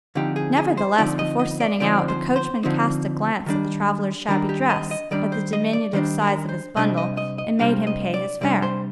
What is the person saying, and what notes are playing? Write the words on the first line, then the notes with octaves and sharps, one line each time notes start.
Nevertheless, before setting out, the coachman cast a glance at the traveller's shabby dress, at the diminutive size of his bundle, and made him pay his fare.
D3 F3 C4 D#4 G4
G#4
G#4
C5
D3 F3 C4 D#4 D5
D#5
D#5
D5
D3 F3 C4 D#4 D5
C5
C5
D3 F3 C4 D#4 C5
D#3 G3 D4
D#3 G3 D4 A#4
G4
D#5
D#5
D#3 G3 D4 D5
C5
D#5
D5
D#3 G3 D4 C5
A#4
C5
C3 G3 D4 D#5
D#5
D#5
D#5
C3 G3 D4 F5
D#5
D5
C3 G3 D4 D5
C5